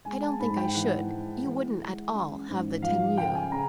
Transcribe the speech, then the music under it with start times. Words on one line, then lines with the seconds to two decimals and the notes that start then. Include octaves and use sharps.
"I don't think I should: you wouldn't at all have the tenue."
0.05 G#3 G#5
0.23 A5
0.39 G#2 B5
0.57 G5
0.74 E3 F#5
1.09 G#3
1.44 E3
1.78 G#3
2.14 C#4
2.48 G#2
2.82 F3 F5
3.17 C#3 G5
3.35 G#5
3.52 C#3 A#5